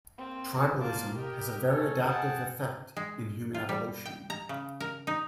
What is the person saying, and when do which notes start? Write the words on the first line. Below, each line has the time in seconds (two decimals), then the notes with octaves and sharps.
Tribalism has a very adaptive effect in human evolution.
0.18 A#3 C4
0.81 A#3 F4 A5 D6
1.17 G4 A#4 D#5 G5
1.69 C#4 A4 C#5
2.08 G#4 F#5 G5 A5
2.97 G#3
3.55 F4
3.69 G3
4.05 G5
4.30 A#5
4.49 C#3
4.80 A#4
5.07 D#4